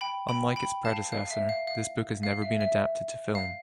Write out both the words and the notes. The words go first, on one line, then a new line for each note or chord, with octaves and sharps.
Unlike its predecessor, this book has never been adapted to film.
G5 B5
G5 B5
G5 B5
F5 A5
F5
E5
F5
F5
F5
E5
E5
F5